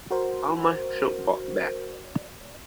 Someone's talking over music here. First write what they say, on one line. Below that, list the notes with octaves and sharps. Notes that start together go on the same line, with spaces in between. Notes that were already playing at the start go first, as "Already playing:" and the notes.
How much should Bob bet?
F#4 A#4 C5